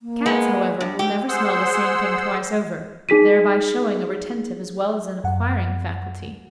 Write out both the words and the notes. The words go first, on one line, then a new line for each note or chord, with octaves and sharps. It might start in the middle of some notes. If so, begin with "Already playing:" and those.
Cats, however, will never smell the same thing twice over, thereby showing a retentive as well as an acquiring faculty.
A#3
G#3 B3
G2
G#3 G4
G#4 C5 F#5 C6 E6
D#4 G#4 B6 D#7
F#2 F#5